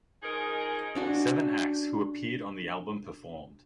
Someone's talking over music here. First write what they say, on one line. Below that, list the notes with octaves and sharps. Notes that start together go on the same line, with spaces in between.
Seven acts who appeared on the album performed.
F3 C#4 D#4 G#4 A#4 D#5
C#4 D4 F#4